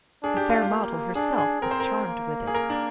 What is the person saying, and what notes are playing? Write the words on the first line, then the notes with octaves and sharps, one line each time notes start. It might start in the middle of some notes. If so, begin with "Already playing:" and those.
The fair model herself was charmed with it.
D4 G#4
G4
F4
G4
A#3
D4 G#4
G#4
C4 A#4
C5
A#4
A#3
G#4
A#4
D4